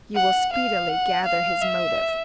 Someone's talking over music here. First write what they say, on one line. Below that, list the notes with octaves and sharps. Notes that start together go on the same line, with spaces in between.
You will speedily gather his motive.
F#5
F5
F#5
F5
E5